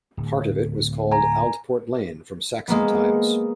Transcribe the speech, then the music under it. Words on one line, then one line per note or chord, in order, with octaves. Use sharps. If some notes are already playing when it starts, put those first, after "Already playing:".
Part of it was called Aldport Lane from Saxon times.
D1
G#5 A#5
G#3 A#3 B3